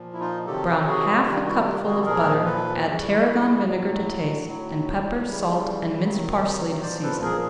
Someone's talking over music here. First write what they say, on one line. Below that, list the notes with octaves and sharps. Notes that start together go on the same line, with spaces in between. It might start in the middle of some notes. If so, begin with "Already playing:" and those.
Brown half a cupful of butter, add tarragon vinegar to taste, and pepper, salt, and minced parsley to season.
Already playing: A#2 F3
E4
D#4 F4
C3 D#3 F#3 G4 A4
A4
F#4 G#4
C3 D#3 G3 F4 G4
E4 F#4
F4 G4
F#4 G#4
A4
A#2 F3 G#4 A#4
A4 B4
C#3 E3 G3
A2 F#3
A2 F#3
C#3 E3 G3
C3 D#3 F#3
A#2 F3 C5 D5
A4 B4
G#4 A#4